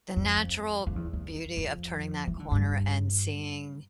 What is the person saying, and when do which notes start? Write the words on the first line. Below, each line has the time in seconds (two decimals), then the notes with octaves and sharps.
the natural beauty of turning that corner and seeing
0.16 F2
0.86 F2
0.96 E2
1.13 E2
1.57 F2
2.27 E3
2.39 D3
2.51 G2